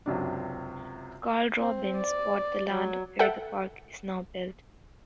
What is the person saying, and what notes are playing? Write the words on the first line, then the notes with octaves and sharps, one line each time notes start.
Karl Robbins bought the land where the park is now built.
C#2 F#2 C3 D4
C4
D5
F#3
A4 E5 F#5 G5